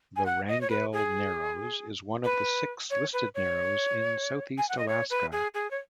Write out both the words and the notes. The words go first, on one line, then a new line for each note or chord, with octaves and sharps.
The Wrangell Narrows is one of the six Listed narrows in Southeast Alaska.
G#5
F#5
D#5
C#5
B4
G#4
B4
C#5
B4
C#5
G#5
F#5
D#5
C#5
B4
G#4
G#4
C#5